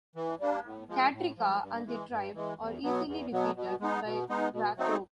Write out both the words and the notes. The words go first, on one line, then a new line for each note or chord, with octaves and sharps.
Katryca and the tribe are easily defeated by Drathro.
E3
G3 A#3 D4
A2
F3 G#3
A2
F3 G#3
G2
E3 G#3
G2
E3 G#3
E2
B2 F#3 B3
E2
B2 F#3 B3
B2
G#3 B3 D#4
B2
G#3 B3 D#4
B2
F#3 A3 C4 D#4